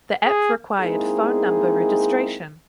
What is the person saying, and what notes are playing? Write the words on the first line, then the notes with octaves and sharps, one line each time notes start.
The app required phone number registration.
G#4
G#3 A#3 C4 D#4 E4 G#4